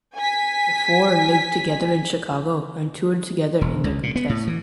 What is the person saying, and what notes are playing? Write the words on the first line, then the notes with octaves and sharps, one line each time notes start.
The four lived together in Chicago and toured together in their quintet.
G#5 B6
E1
C#2
A#2
B3
A2
E3